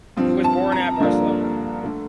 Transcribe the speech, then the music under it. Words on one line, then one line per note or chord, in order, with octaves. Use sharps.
He was born at Barcelona.
G2 F3 C4
A5
A#5
G2 D3 F3 A#3 D4
D3 A3